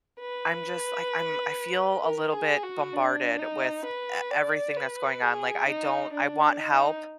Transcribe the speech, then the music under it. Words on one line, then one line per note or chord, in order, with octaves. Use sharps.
I'm just, like, I'm I feel a little bit bombarded with e everything that's going on, like, I don't I want help,
B4
A#4
G#4
F#4
D4
D#4
B4
D5
B4
G#4
D#4
D4
D#4